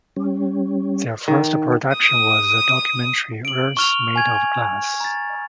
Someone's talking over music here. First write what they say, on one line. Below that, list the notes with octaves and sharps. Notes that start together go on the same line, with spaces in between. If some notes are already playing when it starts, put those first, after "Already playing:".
Their first production was the documentary "Earth Made of Glass".
G3 C#4
D#3
D#6
D7 F#7
C#6 F6 F7
G#5 G#6
G#5
A#5 A6